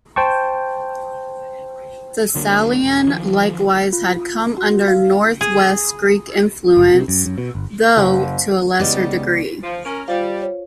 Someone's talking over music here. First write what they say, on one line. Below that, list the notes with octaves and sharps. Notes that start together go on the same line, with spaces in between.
Thessalian likewise had come under Northwest Greek influence, though to a lesser degree.
C5 G5 A5 C#6
D2 D3 F#3 A#3
E1
D#3 F3
F4
F#4
F5
G#4
F#1
C3
F#2
F#2
B2
G1
F#1
C#2 C#3 B3 D#4 G4 D5
F3
C#4 A#4
G3 F4 C5 F5
C#5